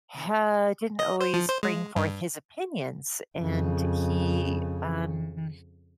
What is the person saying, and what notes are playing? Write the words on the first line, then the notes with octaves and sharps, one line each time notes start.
ha didn't always bring forth his opinions, and he, um
D#5
C5
F3
C5
G#3
G2
F2 C#3